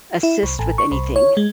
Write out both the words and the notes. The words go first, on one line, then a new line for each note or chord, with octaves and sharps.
assist with anything?
E4
C2
A1
C#6
C2
C#5
G#3